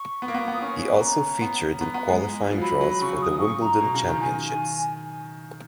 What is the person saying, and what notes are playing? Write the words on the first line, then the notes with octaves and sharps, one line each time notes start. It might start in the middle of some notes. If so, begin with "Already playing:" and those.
He also featured in qualifying draws for the Wimbledon Championships.
Already playing: C#6
B3
A#3
B3
B3
D#6
C#4 C#6
C#6
A#5
B3
B3
B3
G#3
F3
F#3 B5
F#3
B5
C#3 C#6
D#6
C#6
A#5
B2
C#3
D#3
D#3 G#5